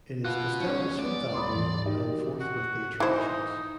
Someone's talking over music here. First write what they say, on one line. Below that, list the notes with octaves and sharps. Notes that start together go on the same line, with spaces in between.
It is Costello's fifth album, and fourth with the Attractions.
F4 F#4 B4 F#6
B1 C#4
G#3 B3 D5
D#1 B5 C6 D6 D#6
G#2 E3
D#3 D#4 F#4 G4
F#4
E3 D#4 C5